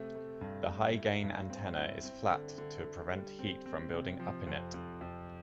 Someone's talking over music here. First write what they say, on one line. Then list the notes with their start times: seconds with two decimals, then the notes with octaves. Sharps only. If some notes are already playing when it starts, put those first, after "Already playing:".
The high-gain antenna is flat to prevent heat from building up in it.
Already playing: C3 A3 C4
0.15 A3
0.41 G2
0.69 A3
0.95 E4
1.23 G2
1.50 C4
1.76 E4
2.04 C4
2.30 D3
2.58 D3
2.84 D3
3.12 G3
3.39 C4
3.66 C4
3.92 C3
4.19 F3
4.47 F2
4.74 F2
5.01 F2